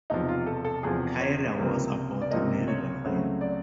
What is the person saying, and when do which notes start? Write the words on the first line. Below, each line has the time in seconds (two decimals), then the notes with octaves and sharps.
Kyra was about to marry Rafael.
0.10 E1 E2 C3 F3 D#4
0.28 F4
0.47 A4
0.65 A4
0.83 E1 E2 C3 F3 G#4
1.20 C#5
1.57 C#2 C3 F3 A#3
2.22 D5
2.31 C#2 C3 F3 A#3 D#5
2.68 C#5
3.04 C#2 C#3 F#3 A3 C4
3.41 D5